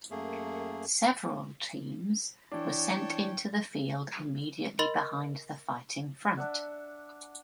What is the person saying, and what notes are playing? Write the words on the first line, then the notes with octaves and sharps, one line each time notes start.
Several teams were sent into the field immediately behind the fighting front.
F#2 A3 A#3 G#4
E3 D4 C#5 G5 A5
A#4 D#5 B5 C6 A6 F#7
D4 E5 F#5